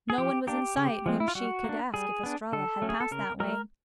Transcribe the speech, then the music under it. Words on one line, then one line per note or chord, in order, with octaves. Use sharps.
No one was in sight whom she could ask if Estralla had passed that way.
G#4
F3 G4
A#3 D4 G4
C#3
F3 G#3 C4
E4
F4
G3 F#4
A#3 D4
G3 G#4
B3 D4
D3 A4
F#3 A3 C#4
G#4
A4
C#3 A#4
F#3 A3 A#4